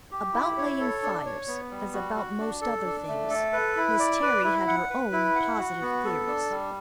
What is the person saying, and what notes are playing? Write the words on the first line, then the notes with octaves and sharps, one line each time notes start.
About laying fires, as about most other things, Miss Terry had her own positive theories.
G4
E4
C#5
A4
D4
C#5
B3
G3
F#4
F#4
D4
A4
D4
A3
A4
B4
E4
D5
B4
E4
F#5
B4
E4
F#5
F#4
B3
A4
D4
G3